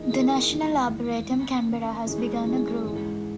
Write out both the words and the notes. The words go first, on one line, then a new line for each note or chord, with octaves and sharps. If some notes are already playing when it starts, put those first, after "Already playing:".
The National Arboretum Canberra has begun a grove.
Already playing: E3 A#3 D#4 G#4
E3 A#3 D#4 G#4
E2 D#3 G#3
E2 D#3 G#3
D#3 A#3 C#4
D#3 A#3 C#4
E3 G#3 C#4 G#4
E3 G#3 C#4 G#4
G#2 E3 G#3 D#4